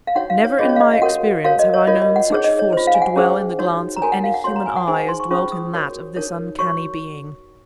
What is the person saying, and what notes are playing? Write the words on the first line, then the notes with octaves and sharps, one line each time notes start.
Never in my experience have I known such force to dwell in the glance of any human eye as dwelt in that of this uncanny being.
F5
D#4 F#4 C#5 F#5
F5
C#5
C#4 F4 G#4 C#5 D#5
C#5
F5
D#5
F5
F#4 A#4 C#5 F#5
F#4 A#4 C#5 F5
D#5
C#5
F4 A#4 C#5 D#5
D#5
F#5
D#4 G#4 C#5
D#5
C#5
F4 C5
F5
G#5
F#5
C#4 G#4 C5
D#4 F#4 C#5
A#5
F#4 A#4 C#5 G#5
F#5
F5
F#5
F#4 C#5 C6
A#5
G#5
F#5
D#4 G#4 C5 G#5
G#5
C6
C#6
C#4 F4 G#4 C5 C#6
D#6
F#4 A#4 C#5
D#4 A#4 C#5
F#4 C#5 C#6